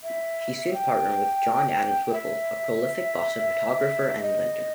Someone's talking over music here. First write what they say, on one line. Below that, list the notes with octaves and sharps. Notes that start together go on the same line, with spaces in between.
He soon partnered with John Adams Whipple, a prolific Boston photographer and inventor.
E5
G5
E5
D#5